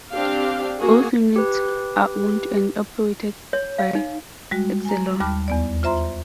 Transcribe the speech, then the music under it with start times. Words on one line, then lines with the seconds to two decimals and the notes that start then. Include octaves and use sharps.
Both units are owned and operated by Exelon.
0.11 C4 D4 G4 F5
0.78 A#3 F#4 G#4
1.36 G4 B4
3.53 C#5
3.78 F5
3.95 D#4
4.51 G3 G#3 F#4
4.85 G#5 A#5
5.20 D#2 G3 A5 B5 D6 F6
5.48 E2 B3 D5
5.83 F4 C5 E5 A#5 C6